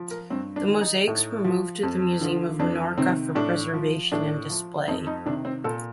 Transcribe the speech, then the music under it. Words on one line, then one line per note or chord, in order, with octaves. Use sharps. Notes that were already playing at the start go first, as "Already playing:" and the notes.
The mosaics were moved to the Museum of Menorca for preservation and display.
Already playing: F3
A#4
G2 C4
D4
D#3
D#4
A2
F3
F2
D3 F3
F2 D4
C3 D#3 C4
A2 D4
F3
A2 D4
F3
F2 D#4
D#4
C3 D#3 D4
C4
A#2 A4